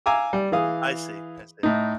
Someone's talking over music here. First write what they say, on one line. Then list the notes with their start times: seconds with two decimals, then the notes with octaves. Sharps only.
I see, I see.
0.06 F5 G#5 A#5 D6 E6
0.33 G3
0.52 E3 G#4 F5 D#6
1.63 A2 D#4